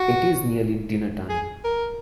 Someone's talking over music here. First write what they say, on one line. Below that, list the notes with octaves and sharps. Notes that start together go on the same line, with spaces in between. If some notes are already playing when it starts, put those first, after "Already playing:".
It is nearly dinner-time.
Already playing: F#4
G#4
A#4